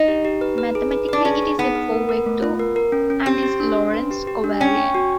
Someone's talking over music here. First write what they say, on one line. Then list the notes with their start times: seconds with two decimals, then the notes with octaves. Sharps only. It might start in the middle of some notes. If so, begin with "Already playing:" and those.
Mathematically it is a four-vector, and is Lorentz covariant.
Already playing: D#4
0.08 G4
0.25 G4
0.41 B4
0.58 B4
0.75 G#4
0.91 B4
1.09 D4 B4
1.25 C#4 G#4
1.42 G#4
1.58 B3 D#4
1.75 B4
1.92 A#4
2.09 A#4
2.26 A3
2.42 F4
2.59 A#4
2.76 A#4
2.92 C#4
3.10 C#4
3.26 C4 G4
3.43 G4
3.60 D4
3.77 D4
3.94 B4
4.11 G4
4.27 G4
4.44 D4
4.60 C#4 G5
4.78 G5
4.95 F#4